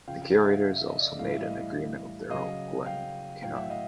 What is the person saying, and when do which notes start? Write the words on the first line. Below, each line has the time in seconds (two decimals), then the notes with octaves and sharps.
The curators also made an agreement with the Earl of Glencairn.
0.07 C#3 F3 F5 G5
0.22 F5 G5
0.36 E5 F#5
0.49 D#5 F5
0.63 F5
0.76 E5
0.88 D#5
1.00 D5 E5
1.19 A2 E3 G3 F5
1.31 E5
1.43 D#5 F5
2.30 C#3 F#3 D#5 F5
2.86 F5 G5
3.42 A2 F#3 F5 G5
3.56 E5 F#5
3.70 D#5 F5